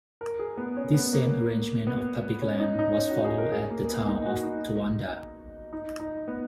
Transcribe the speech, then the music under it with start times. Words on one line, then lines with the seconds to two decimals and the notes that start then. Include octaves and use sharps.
This same arrangement of public land was followed at the town of Towanda.
0.21 A#4
0.39 G#4
0.57 B3
0.77 C#4
0.94 B3
1.13 A#3
1.87 B3
2.42 C#4
2.60 D#4
2.79 D#4
2.97 C#4
3.11 F#4
3.24 G#4
3.38 A#4
3.52 G#4
3.71 A#3
3.89 B3
4.08 D#4
4.26 F#4
4.43 D#4
5.73 D#4
6.00 D#4
6.28 B3